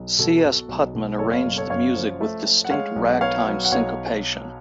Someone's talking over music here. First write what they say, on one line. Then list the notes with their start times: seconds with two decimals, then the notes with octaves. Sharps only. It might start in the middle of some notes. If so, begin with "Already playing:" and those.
C. S. Putman arranged the music with distinct ragtime syncopation.
Already playing: B1
0.19 B2 F#4 A4
0.44 B2
0.68 B1
0.95 B2
1.19 F#1 A4 C#5
1.32 C#5 F5
1.45 F#1
1.57 A4 C#5
1.70 F#2 C#5 F5
1.95 F3
2.21 A3
2.45 A3
2.65 F#5
2.70 G#3 C#5 F5
2.96 B1
3.10 F#5
3.21 B3 C#5 F5
3.46 F#3
3.65 F#5
3.72 B1 C#5 F5